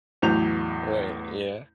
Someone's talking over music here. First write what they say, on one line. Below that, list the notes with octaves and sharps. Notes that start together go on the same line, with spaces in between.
Right, yeah.
A1 E2 A2 F#3 G6 F7